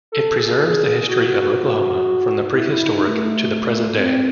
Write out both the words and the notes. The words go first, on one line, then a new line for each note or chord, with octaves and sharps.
It preserves the history of Oklahoma from the prehistoric to the present day.
A4
G#4
F#4
E4
E4
D#4
A3
C4